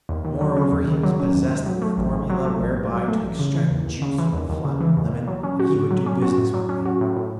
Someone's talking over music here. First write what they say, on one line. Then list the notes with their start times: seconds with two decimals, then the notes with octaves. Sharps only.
Moreover, he was possessed of a formula whereby to extract juice from a flattened lemon, and he would do business with me.
0.09 D#2
0.25 D#3
0.41 F#3
0.57 C#4
0.72 D#2
0.88 D#3
1.03 F#3
1.20 C#4
1.35 D#2
1.50 G#2
1.66 F#3
1.82 A3
1.98 A1
2.14 G#2
2.30 F#3
2.45 A3
2.61 A1
2.77 G#2
2.92 F#3
3.08 A3
3.24 A1
3.39 C#3
3.54 E3
3.71 D#2
3.86 D#2
4.02 C#3
4.18 E3
4.33 D#2
4.49 D#2
4.65 C#3
4.81 E3
4.96 D#2
5.12 D#2
5.28 F#3
5.43 C#4
5.60 F#4
5.75 A2
5.91 F#3
6.06 C#4
6.22 F#4
6.38 A2
6.54 F#3
6.69 C#4
6.86 F#4
7.01 A2
7.17 A2